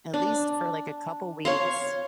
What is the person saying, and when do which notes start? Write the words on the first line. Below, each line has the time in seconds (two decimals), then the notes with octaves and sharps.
at least for like a couple weeks,
0.14 D4
1.45 C#5 F5 C6